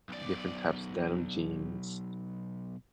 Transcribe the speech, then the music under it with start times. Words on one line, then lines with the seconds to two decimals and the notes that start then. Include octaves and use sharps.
different types of denim jeans.
0.09 B1 D5